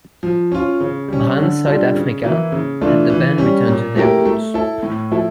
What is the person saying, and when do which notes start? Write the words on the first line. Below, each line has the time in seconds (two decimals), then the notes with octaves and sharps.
"Brand Suid-Afrika" had the band return to their roots.
0.23 F3
0.52 C#4 F4
0.80 C#3
1.08 G3 C#4
1.38 D3
1.67 G3 D4 F4 A4
1.94 C#3
2.24 E3 A#3 E4
2.52 C#3
2.81 E3 A3 D4 F4
3.10 E3
3.38 G3 C#4
3.68 A#2
3.96 A3 E4 G4 A#4
4.26 A3
4.54 E4 A4
4.83 A2
5.11 F3 A3 E4 A4